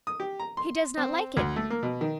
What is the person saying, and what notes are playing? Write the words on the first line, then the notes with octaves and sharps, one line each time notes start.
He does not like it!
D#6
G4
A#5
C6
C4
D2
A3
A#3
B2
D#3